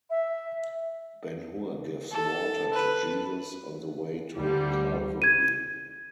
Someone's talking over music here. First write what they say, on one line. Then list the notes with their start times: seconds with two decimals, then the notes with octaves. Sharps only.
Ben-Hur gives water to Jesus on the way to Calvary.
0.10 E5
2.12 A4
2.74 B4
4.35 D2 D3 G3
5.22 G#6 D#7